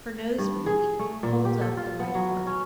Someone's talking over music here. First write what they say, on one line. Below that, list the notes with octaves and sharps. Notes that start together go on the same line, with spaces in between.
For nose-bleed, hold up the right arm.
G2
G#4
A3
A#2
G4
A4
F4
B3
F#3
C#4